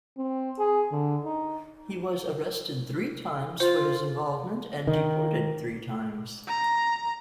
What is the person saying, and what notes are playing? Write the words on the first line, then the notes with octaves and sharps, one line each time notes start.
He was arrested three times for his involvement and deported three times.
C4
G#4
D3
D#4
F4 C5
D#3
A#5